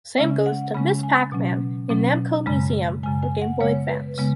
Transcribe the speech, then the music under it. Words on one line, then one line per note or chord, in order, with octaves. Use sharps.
Same goes to "Ms. Pac-Man" in "Namco Museum" for Game Boy Advance.
C#3 G#3 C#4 E5
F#5
C#3 G#3 C#4 B5
G#5
B2 F#3 C#4
B2 F#3 C#4
F#2 C#3 G#3 B5
F#2 C#3 G#3 G#5
G#5
F#5
C#3 G#3 B3 C#5
B4
C#3 G#3 B3